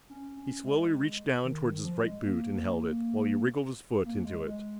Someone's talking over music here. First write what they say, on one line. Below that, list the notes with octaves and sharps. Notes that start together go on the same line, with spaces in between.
He slowly reached down toward his right boot and held it, while he wriggled his foot into it.
C#4
C#4
G#3
D#3
D#3
F3
G#3
A#3
A#3
G#3
G#3